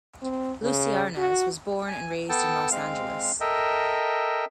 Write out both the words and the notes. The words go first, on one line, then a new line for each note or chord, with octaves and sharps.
Lucie Arnaz was born and raised in Los Angeles.
C4
C#3
F#4
G#5
B3 A4 G5 A5
G#3 C4 F5
A4 A#4 D#5 E5 G5